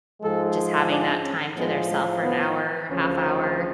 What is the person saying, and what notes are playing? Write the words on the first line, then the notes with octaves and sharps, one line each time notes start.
just having that time to their self for an hour, half hour
G#2 F3 G#3 A4
D4
C#4
A2 F3 G#3 B3
G#3
B3
D2 C#3 F3 C#4